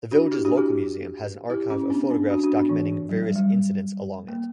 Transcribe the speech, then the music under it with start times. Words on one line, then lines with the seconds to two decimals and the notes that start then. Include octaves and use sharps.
The village's local museum has an archive of photographs documenting various incidents along it.
0.11 D4 F#4
0.32 E4 G4
0.45 D4 F#4
0.57 E4 G4
1.50 E4 G4
1.70 C#4 E4
1.90 B3 D4
2.10 B3 D4
2.30 D4 F#4
2.44 D4 F#4
2.56 B3 D4
2.69 E3
3.09 F#3
3.23 G3
3.36 G3
4.28 A#3